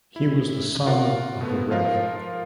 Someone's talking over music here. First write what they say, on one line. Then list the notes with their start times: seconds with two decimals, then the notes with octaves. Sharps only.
He was the son of the Rev.
0.16 E4
0.86 F4 A#4 F#5
1.41 B2 A3 B3
1.71 F3 F4 A#4 F5